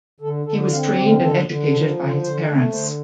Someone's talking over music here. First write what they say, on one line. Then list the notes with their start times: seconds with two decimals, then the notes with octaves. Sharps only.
He was trained and educated by his parents.
0.20 D3 A4
0.46 D3 A4
0.71 C4 F5
0.83 A#4
0.96 D3 G4
1.08 A#4
1.21 D3 A4
1.45 D3
1.71 F3 A4
1.87 A#4
1.96 D3
2.05 C5
2.21 D3 C5
2.46 A3
2.71 D3 C5